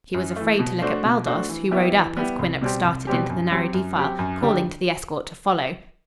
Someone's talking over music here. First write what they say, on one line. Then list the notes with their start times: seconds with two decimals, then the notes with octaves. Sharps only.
She was afraid to look at Baldos, who rode up as Quinnox started into the narrow defile, calling to the escort to follow.
0.14 F#2
0.36 E3 A3
0.59 B2
0.82 A3 D4 F#4 C5
1.04 B2
1.26 A3 D4 F#4 C5
1.49 E3
1.71 G3 B3 E4 G4
1.94 E3
2.16 G3 B3 E4 G4
2.39 C2
2.61 B2 G3 C4 G4
2.85 C2
3.07 B2 G3 C4 G4
3.30 F#2
3.52 F#3 C4 G4
3.74 F#2
3.96 F#3 C4 G4
4.19 F#2
4.41 D3 G3 D4 G4